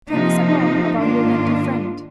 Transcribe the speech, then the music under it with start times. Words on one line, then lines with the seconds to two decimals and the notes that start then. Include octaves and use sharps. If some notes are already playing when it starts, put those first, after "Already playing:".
Tell me some more about your inventive friend.
0.10 C3 F3 A#3 D#4
0.96 G#2 D#3 A#3 D4 F4